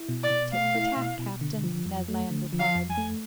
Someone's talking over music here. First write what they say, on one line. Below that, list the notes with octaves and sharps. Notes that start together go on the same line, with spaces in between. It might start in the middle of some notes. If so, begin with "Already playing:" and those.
"Tit for tat, captain," Ned Land replied.
Already playing: E4
B2
D5
B2
A3 F5
E4
B2
B2
D3
F3
F2
A3
D3
F3
F5
F2
G#5
A3